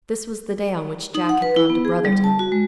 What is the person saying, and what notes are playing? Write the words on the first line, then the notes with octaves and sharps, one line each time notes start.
This was the day on which Jack had gone to Brotherton.
D#4
F#5
B4
E4
B3
G#4
G3
A5
F#4
G#3